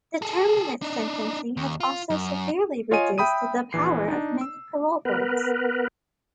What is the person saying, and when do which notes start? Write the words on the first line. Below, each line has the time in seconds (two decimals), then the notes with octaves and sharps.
Determinate sentencing has also severely reduced the power of many parole boards.
0.22 G#4 A4
0.82 D4 D#4
1.57 D#2
1.80 F4
2.10 F#2
2.91 F4 C#5 D#5 G#5 D#7
3.18 E5 G5 B5 D#6 D#7
3.73 A#1 E3 C7
4.08 D4 D#4
4.41 E6
5.05 B3 A#4 B4